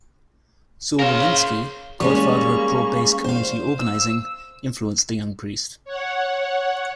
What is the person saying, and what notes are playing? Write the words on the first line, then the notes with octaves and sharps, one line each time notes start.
Saul Alinsky, godfather of broad-based community organizing, influenced the young priest.
C#3 A#4 C5 F5
G3 G#3 A#3 C#4 C#6
C5 F5
E6
C#5 F#5